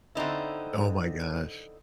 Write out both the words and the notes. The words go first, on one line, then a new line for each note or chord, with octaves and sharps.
Oh my gosh.
D3 C4 D#4 E4